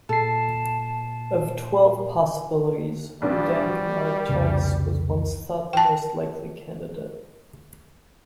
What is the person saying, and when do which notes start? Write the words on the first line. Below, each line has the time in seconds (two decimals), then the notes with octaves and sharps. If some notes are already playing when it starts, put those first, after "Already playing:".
Of twelve possibilities, Houdenc in Artois was once thought the most likely candidate.
0.09 A#2 A4 A5 C7
3.22 A#1 G3 D4 B4
3.66 F#4
4.29 C2 F2 C#3
5.73 G5 A5